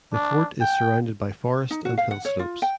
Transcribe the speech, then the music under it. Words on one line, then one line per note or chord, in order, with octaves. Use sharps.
The fort is surrounded by forest and hill slopes.
D4
G5
D#4
F#4
F5
F#5
C#5
F4
G5